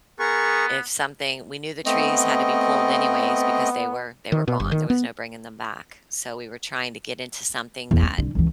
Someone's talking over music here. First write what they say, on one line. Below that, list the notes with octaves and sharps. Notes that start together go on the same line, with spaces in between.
if something we knew the trees had to be pulled anyways, because they were they were gone. There was no bringing them back. So, we were trying to get into something that
B3 G#4 A#4 C#6
A3 B3 C4 D#5
D#3
B2
G1
D#3
B3
E2
C4
C2 D3
C#2 E3